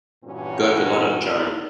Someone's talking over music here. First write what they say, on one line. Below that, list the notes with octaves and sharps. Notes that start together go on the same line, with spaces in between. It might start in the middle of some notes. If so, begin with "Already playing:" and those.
Got a lot of charm.
G2 A#2 E3 C#4 F#4